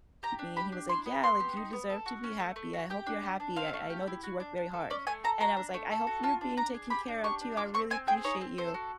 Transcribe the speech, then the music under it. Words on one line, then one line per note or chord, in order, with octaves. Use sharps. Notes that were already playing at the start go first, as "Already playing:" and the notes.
me." And he was like, "Yeah," like, "you deserve to be happy, I hope you're happy, I I know that you work very hard." And I was like, "I hope you're being taken care of, too, I really appreciate you."
G4 A#5
D4
G4 B5
D4
E4 C6
B3
B3 C6
G4
D#4
B3
A4
F#4
C#4
A3
A3
F#4
G4 G5
D4
G4
D4
C4 F5
A3
G4
E4
F#4
D4
D4
A4
C#4 D5
A3 G#5
A4 A#5
F#4 A#5
D4
A3
A4
F#4
F4 A5
D4
D4 A#5
G#4
G4 B5
D4
G4 C#6
D4
F4 D6
C4 C#6
C4 G#5
G#4 G5
D#4 C#5
C4
A4 C5
F#4